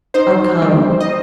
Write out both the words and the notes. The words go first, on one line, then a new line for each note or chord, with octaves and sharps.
"I'll come."
D#4 C5
G3
D#5